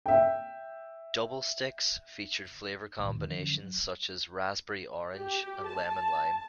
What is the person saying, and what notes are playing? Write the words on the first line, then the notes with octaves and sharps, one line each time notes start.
"Double stix" featured flavor combinations such as raspberry-orange and lemon-lime.
E5 G5
C2 A2 D#3
E2 D#3
D3 F3 C#4
F#3
G4
A5